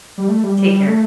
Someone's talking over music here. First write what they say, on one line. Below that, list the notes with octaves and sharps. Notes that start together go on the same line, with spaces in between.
Take care.
G3
A3
G3
G3
A3